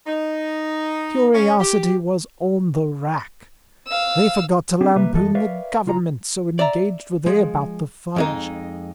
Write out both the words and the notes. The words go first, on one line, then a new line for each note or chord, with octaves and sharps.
Curiosity was on the rack; they forgot to lampoon the government, so engaged were they about the fudge.
D#4
C#4
G4
F5 E6
C4 D4 G4 G#4
C3 G3 A#3 B4 E5
F#2 E3 A4 D#5
A#4 B4 C#5 D5 E5 F5
C#2 F4 A#5
D5 E5 A#5
F3 G#3
F2 G#3 D#4